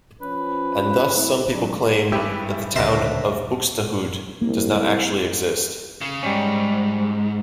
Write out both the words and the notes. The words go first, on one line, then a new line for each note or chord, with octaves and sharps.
And thus some people claim that the town of Buxtehude does not actually exist.
F3 C#4 B4
B2 A3 C4 E4
F#3 G#3 D4
G#1 G2 E4 G4 B4
D2 A#2 C#3 D4 A#4 C5 E5
C2 A#3
C#3
G#2 G3 C#4